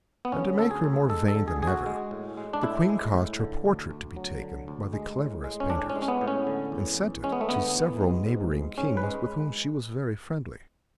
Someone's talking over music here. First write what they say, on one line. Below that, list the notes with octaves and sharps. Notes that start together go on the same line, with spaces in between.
And to make her more vain than ever the Queen caused her portrait to be taken by the cleverest painters and sent it to several neighboring kings with whom she was very friendly.
B3
D3 C#4
D2 A4
G#4
D2
G#3 A4
A4
D3
G#4
D2 G#4
F#4
G#3
A2
G#3
D4
A2 E4
G#3
A2
D3
D2
D2
F#3
D3
D2
G#3
A2
G#3
C#4
A2 D4
C#4
G#3
C#4
B3
A2
C#4
D3
E2
E2
G#3 C#4
B3
A3
D3 B3
E2
G#3
G#2
G#3
G#2 C#4
B4
G#3